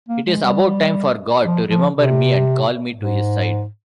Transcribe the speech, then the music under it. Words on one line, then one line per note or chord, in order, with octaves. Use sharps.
It's about time for God to remember me and call me to his side.
A#3
G#3
G3
F3
F3
C3
G#2